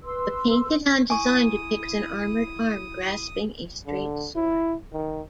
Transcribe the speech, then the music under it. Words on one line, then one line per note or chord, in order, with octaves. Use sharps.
The painted-on design depicts an armored arm grasping a straight sword.
B4 C6 E6
E4 G#5 C#6 D#6
D3
E4
D#3